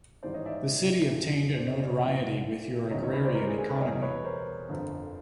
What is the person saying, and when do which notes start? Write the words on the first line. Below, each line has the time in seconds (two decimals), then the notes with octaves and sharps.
The city obtained a notoriety with your agrarian economy.
0.23 A1 G#2 D#3 G3 C5 D5
0.34 C#5 D#5
0.46 D5 E5
0.56 C#5 D#5
1.12 F2 C#3 F3
1.57 C5 D5
1.67 C#5 D#5
1.79 C5 D5
1.90 C#5 D#5
2.02 C2 A#2 F3 D5 E5
2.91 D2 C3 D#3 G3 C#5 D#5
3.02 C#5 D#5
3.13 B4 C#5
3.24 C5 D5
3.35 A#4 C5
3.47 G#4 A#4
3.57 G#4 A#4
3.69 A4 B4
3.75 D5
3.80 E2 B2 G3 C#5 D#5
4.02 B4 C#5
4.24 A#4 C5
4.69 G1 F2 D3 F3